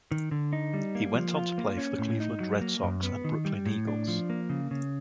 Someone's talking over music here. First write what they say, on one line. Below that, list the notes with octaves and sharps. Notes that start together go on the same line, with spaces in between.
He went on to play for the Cleveland Red Sox and Brooklyn Eagles.
D#3
D3
D#4
G3
A#3
F3
F4
A#3
C#4
A2
D#4
F#3
A#3
F#2
B3
D#3
G3
A2
D4
F3
A#3
C#3
C#3